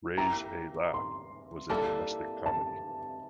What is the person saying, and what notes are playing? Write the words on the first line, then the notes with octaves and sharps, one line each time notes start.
"Ray's a Laugh" was a domestic comedy.
A#3 E4 G4 A#5
C6
G3 A#3 E4 A4 A5
A5